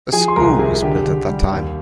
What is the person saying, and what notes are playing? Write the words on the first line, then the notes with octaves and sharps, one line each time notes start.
A school was built at that time.
F3 G#4 G#5
C6
C2 A#4 A#5
C3 G#4 G#5
D3 G4 G5
D3
G3
D#2